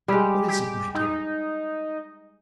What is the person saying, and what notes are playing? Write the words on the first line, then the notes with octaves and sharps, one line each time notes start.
'What is it, my dear?
G3 G#3 G4
G4
D#4